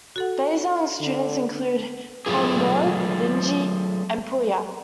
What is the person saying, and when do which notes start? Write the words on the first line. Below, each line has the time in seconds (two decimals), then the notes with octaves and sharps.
Baizhang's students included Huangbo, Linji and Puhua.
0.16 F#4 A4 F#5
1.00 D3
2.26 F#3 A3 F4 G#4